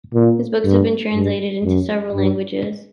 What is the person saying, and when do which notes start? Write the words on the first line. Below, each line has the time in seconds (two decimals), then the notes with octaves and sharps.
His books have been translated into several languages.
0.14 A#2
0.65 G2
1.14 G2
1.64 F#2
2.14 G2